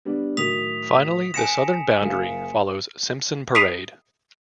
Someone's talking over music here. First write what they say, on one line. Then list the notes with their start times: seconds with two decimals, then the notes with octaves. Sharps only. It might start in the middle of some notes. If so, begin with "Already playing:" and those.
Finally the southern boundary follows Simpson Parade.
0.05 G3 B3 D4
0.37 A2 D#3 F#3 D#6 B6 F7
1.34 G#5 A5 A#6 C#7 E7
2.01 F#1 F4
3.55 D#6 B6 C7 D7 D#7 F7